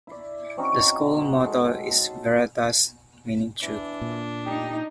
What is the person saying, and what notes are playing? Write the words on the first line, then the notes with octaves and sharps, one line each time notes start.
The school motto is Veritas, meaning truth.
E4 D5
C4 C#4 D#4 F#4
G#3 A4
A5
E3 D4
A#2
D#4 G4